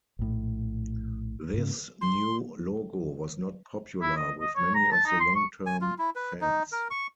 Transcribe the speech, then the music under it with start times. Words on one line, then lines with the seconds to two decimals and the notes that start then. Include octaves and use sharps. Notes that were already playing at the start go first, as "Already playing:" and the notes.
This new logo was not popular with many of the long-term fans.
0.19 A#1 A2
1.54 G#2 C#3
2.01 C6
4.02 E4
4.16 D#5
4.41 D#5
4.56 C#5
4.75 A#5
4.92 A5
5.06 D#4
5.20 C6
5.35 C#6
5.66 G#5
5.81 F4
5.98 E4
6.16 B4
6.41 D#4
6.72 A#4
6.90 C#6